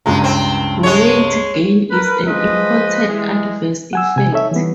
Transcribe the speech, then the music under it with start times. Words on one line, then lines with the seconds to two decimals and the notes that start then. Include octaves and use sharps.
Weight gain is an important adverse effect.
0.06 C#2 G2 A#2 G#3 A#5
0.24 C4
0.83 G#3 C#5
1.91 A#4 B4
2.27 F3 G#3 B4 C5 D#5
3.09 E3 G3 G#3
3.93 F#5 G#5 E6
4.16 C3 G#5
4.32 D#4 A4 C#5 E5
4.51 E3 G3 B3